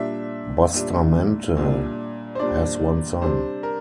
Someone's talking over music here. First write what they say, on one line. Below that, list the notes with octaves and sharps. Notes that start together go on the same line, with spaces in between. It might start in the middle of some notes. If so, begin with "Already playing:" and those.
Bustamante has one son.
Already playing: A#2 G3 D4 E5
A#2 G3 D4
A#2 G3 D4
C5
A#2 G3 D4 D5
C3 G3 D4 C5
A#4